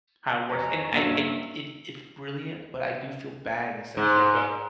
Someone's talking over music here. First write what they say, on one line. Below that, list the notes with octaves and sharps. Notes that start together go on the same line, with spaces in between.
how it works. And I I it it's brilliant, but I do feel bad in a sense, right? But,
F2 G#3 C#5 A#5
G2 F#3 A#3 C#4 E5 A#5
G#2